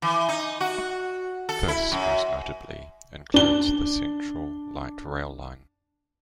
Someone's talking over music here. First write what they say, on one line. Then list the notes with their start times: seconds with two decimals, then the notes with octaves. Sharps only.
This, most notably, includes the Central Light Rail line.
0.02 E3
0.29 D#4
0.61 F#4
1.49 A4
1.68 E4
1.92 F#2
3.34 D4 G7